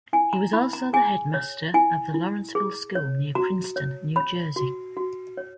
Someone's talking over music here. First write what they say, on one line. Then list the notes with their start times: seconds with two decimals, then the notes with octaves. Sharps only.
He was also the headmaster of The Lawrenceville School near Princeton, New Jersey.
0.13 E4 G#5
0.33 A#5
0.53 E4 B5
0.73 A#5
0.93 G#4 G#5
1.34 C#5
1.74 E4 G#5
2.14 E4
2.55 G#4
2.95 C#5
3.35 F#4 A#5
3.76 C#5
4.16 C#5 B5
4.56 F#4
4.97 F#4
5.37 C#5